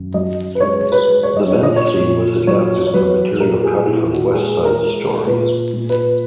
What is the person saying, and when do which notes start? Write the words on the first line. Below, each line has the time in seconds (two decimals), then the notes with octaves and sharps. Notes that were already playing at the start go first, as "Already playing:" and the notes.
The men's theme was adapted from material cut from "West Side Story".
Already playing: F#2 D#3
0.14 F#3 D#5
0.55 B4
0.60 G#3 C#5
0.92 B4
1.07 G#3
1.23 C#5
1.37 D#5
1.50 A#2 C#5
1.63 D#5
1.76 C#5
2.01 A#2
2.47 F#3 C#5
2.87 C#5
2.94 F#3 B4
3.40 A#2 A#4
3.64 G#4
3.87 A#2 E4
4.11 F#4
4.34 G#3 G#4
4.65 A#4
4.81 G#3
5.27 A#2 B4
5.73 A#2
5.90 B4